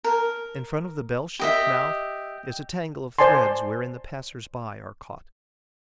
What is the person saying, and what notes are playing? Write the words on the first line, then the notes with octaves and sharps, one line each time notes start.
In front of the bell-shaped mouth is a tangle of threads wherein the passers-by are caught.
A#4
G4 D#5 E5
C5 D5 G#5 A5 C6